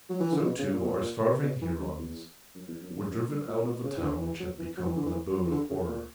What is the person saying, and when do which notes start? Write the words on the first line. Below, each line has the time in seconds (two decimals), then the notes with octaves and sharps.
So, too, our starving Hurons were driven out of a town which had become an abode of horror.
0.10 F#3
0.20 E3
0.32 D3
0.39 C#3
0.45 B2
0.59 C#3
0.73 A#2
0.83 B2
0.87 A#2
1.43 B2
1.62 E3
1.80 F#2
1.99 E2
2.55 F#2
2.68 E2
2.82 F#2
2.90 E2
2.96 F#2
3.10 F#2
3.28 G2
3.47 A#2
3.65 B2
3.84 C#3
3.97 E3
4.03 D3
4.21 E3
4.40 F#3
4.59 E3
4.77 F#3
4.87 E3
4.97 D3
5.06 E3
5.32 F#3
5.46 E3
5.51 D3
5.70 C#3
5.88 A#2